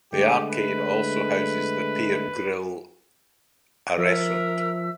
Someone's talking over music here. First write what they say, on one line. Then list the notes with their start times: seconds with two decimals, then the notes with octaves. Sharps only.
The arcade also houses the Pier Grille, a restaurant.
0.13 D3 G#3 A3 G4
0.48 B4
3.97 F3 A#4 E5 E6